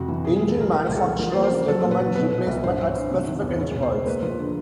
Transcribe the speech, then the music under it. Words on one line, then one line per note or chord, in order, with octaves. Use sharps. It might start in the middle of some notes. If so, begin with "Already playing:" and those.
Engine manufacturers recommend replacement at specific intervals.
Already playing: F2 C3 F#4
E3
B2 G#4
G#4
G3
A4
C#2 A#4
G#3 A#4
C2
A4
E3
F3 A#4
C5
A#3
C5
C#3 A#4
F#3 A4
A#2
B4
F#3
B2 B4
B2
C2
G2 C5
G2
C#5
G2
C3
D#3
E2
C#2 C#5
B2
C5
C#2
A#3 B4
F3
D3